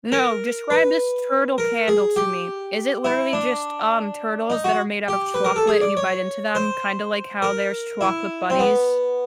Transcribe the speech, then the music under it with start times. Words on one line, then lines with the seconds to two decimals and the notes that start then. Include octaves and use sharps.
No, describe this turtle candle to me. Is it literally just, um, turtles that are made out of chocolate and you bite into them, kinda like how there's chocolate bunnies?
0.12 A#4
0.70 B4
1.58 A#4
1.88 G#4
2.16 G4
3.05 E4
3.33 D4
4.50 D#4
4.64 F#4
5.08 G4
5.34 B4
5.44 A#4
5.56 A4
5.67 G#4
5.81 D5
5.97 C#5
6.55 C5
7.42 A#4
8.01 E4
8.50 C4
8.59 B3